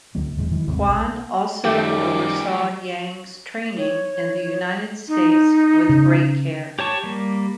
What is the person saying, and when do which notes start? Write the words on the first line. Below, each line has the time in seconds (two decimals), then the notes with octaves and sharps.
Kwan also oversaw Yang’s training in the United States with great care.
0.15 D2 D3 F#3 A#3
0.36 E1 E2 A2 G#3
0.51 D#3 E3 F#3
0.66 G#1 D#2 C3 G#3
0.85 B1
1.65 F#2 D#3 F3 G3 G4 D6
3.78 C#5
5.08 D#4
5.89 C#3
6.79 G4 C#5 A5 C#6
7.04 G3 A#3